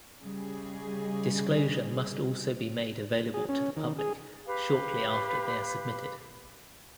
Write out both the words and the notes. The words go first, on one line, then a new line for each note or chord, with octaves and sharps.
Disclosure must also be made available to the public shortly after they are submitted.
C#3 G3 G#4 D#5
G#4
C#4
D#3
G#4
G4 B4 F5